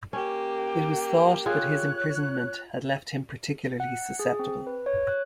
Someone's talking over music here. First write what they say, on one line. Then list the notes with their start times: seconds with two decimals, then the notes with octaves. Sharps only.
It was thought that his imprisonment had left him particularly susceptible.
0.13 A#3 C#4 G4
1.46 F4 G#4 C#5 F#6
3.80 F#5
4.19 G#4
4.39 C4
4.67 B4
4.86 C#5
5.07 F#6